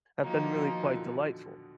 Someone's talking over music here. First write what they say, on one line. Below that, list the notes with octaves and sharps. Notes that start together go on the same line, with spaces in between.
have been really quite delightful.
D#3 F3 F#3 A#3 D#4
B2 D#3
A#2 D3